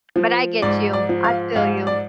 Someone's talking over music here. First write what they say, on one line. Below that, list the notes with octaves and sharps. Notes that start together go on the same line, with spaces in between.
But I get you, I feel you.
F3
G#2 D5
D5
F3
F5
G#2 F5
D5